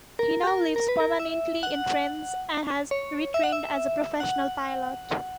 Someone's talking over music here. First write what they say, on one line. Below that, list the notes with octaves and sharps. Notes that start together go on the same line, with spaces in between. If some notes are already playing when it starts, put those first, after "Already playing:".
He now lives permanently in France and has retrained as a professional pilot.
A#4
G4
A#4
A#4
B4
A#4
E5
F#5
C#5
E5
F#5
E5
F#5